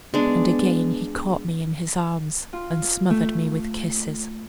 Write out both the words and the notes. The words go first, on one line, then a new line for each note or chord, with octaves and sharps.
And again he caught me in his arms, and smothered me with kisses.
G#3 B3 D4
F4
A3